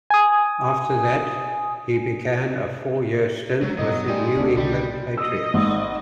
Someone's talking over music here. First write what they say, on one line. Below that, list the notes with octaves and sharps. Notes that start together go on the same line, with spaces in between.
After that he began a four-year stint with the New England Patriots.
G#5 D#6
C#3 F#3 G#3
G2 B2 F#3 D#5
G3 A3 D#4 G#5
D2 D3 A3
C2 C#3 G3
D#5 E6
G#1